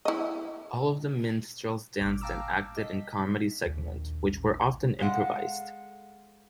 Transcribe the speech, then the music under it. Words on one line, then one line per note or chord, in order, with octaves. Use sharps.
All of the minstrels danced and acted in comedy segments, which were often improvised.
E4 D#5
G#1 A#2 D6
F5 G5 A5 A#5 D6 E6
D#5 B6
A#1 D#2
A1
G#3 A4 B4 D#5 F5 F#5